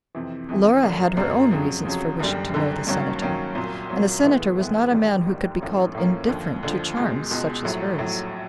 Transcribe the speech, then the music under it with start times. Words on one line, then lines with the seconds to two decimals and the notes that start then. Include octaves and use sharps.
Laura had her own reasons for wishing to know the Senator, and the Senator was not a man who could be called indifferent to charms such as hers.
0.15 F2 C3 E3
0.49 F2 C3 E3
0.83 F#2 D3 F#3 A#3 D4
1.17 F#2 D3 F#3 A#3 D4
1.51 F2 C#3 F#3
1.85 F2 C#3 F#3
2.20 F#1 F#2 D3 G3
2.54 F#1 F#2 D3 G3
2.87 G2 D#3 F#3 A#3 C#4
3.22 G2 D#3 F#3 A#3 C#4
3.55 C2 A#2 F#3
3.90 C2 A#2 F#3
4.23 A2 E3 G#3 B3
4.58 A2 E3 G#3 B3
4.91 A1 G#2 D#3 G3
5.26 A1 G#2 D#3 G3
5.60 A1 A2 F3 A#3 C#4
5.94 A1 A2 F3 A#3 C#4
6.28 D#2 D3 F3
6.63 D#2 D3 F3
6.96 C#2 B2 G#3
7.30 C#2 B2 G#3
7.65 A#1 A2 F#3
7.98 A#1 A2 F#3